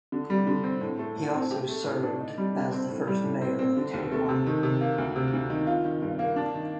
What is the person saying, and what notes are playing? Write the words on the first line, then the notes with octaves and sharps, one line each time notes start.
He also served as the first mayor of Tehran.
D3
G3
D3
C4
A2
A3
A2
C4
G4
A3
A2
D4
D#4
G3
D3
C4
A2
G3
A2
C4
C4
D3
D#2
A3
C3
D#3
C3
A#3
D2
C3
D2
D#3
F4
D#3
G2
A#3
D4
D#3